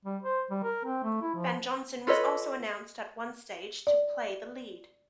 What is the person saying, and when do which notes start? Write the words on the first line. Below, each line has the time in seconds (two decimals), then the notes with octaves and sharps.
Van Johnson was also announced at one stage to play the lead.
0.05 G3
0.22 C5
0.50 G3
0.64 A#4
0.85 C4
1.04 A3
1.22 E4
1.35 F3
2.07 F4 A4 B4 C#5 D#5
3.87 D5